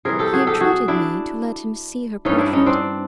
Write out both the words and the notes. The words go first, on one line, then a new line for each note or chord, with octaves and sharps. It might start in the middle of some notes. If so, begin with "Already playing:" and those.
He entreated me to let him see her portrait.
C3 E3 G3 G#4 A#4
G4 A4
F#4 G#4
G4 A4
F#4 G#4
D4 E4
G2 E3 G3 C#4 D#4
D4 E4
C#4 D#4
C4 D4